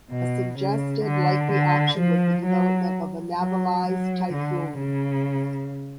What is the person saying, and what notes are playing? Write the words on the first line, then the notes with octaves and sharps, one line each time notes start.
A suggested likely option was the development of a navalised Typhoon.
B2
C#3
D3
D3
F3
F#3
F#3
F#3
D3
C#3